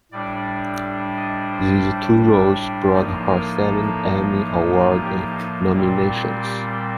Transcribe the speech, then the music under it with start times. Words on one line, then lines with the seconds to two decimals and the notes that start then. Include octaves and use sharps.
These two roles brought her seven Emmy Award nominations.
0.12 A2 G3 D4 D5
1.17 D#5
1.51 C5
2.92 A2 F3 A#3 D#4 D5
3.28 A#4
3.62 A4
5.02 G4
5.37 D#4
5.73 A#2 G3 C4 F4
6.42 G4